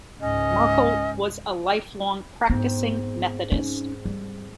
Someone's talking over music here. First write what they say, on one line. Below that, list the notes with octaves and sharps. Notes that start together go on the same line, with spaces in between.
Merkel was a lifelong practicing Methodist.
C#2 G#2 C#4 D#5
G#2 B3 C4
C#4 D#4
G3